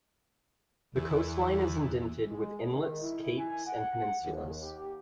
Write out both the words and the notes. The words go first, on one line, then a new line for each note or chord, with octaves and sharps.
The coastline is indented with inlets, capes and peninsulas.
E2
G#3
D#3
E4
G#5
F#5
D#2
G4